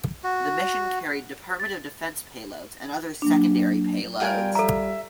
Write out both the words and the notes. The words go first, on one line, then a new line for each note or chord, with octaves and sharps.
The mission carried Department of Defense payloads and other secondary payloads.
F#4
A6
F#3 A#3 D4
G3 F4 A#4 G5 G#5
A4 E5 A#5